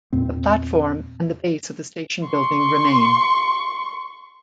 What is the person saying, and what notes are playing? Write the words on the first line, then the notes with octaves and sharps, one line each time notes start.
The platform and the base of the station building remain.
E2 A#2 C4
C6 C#6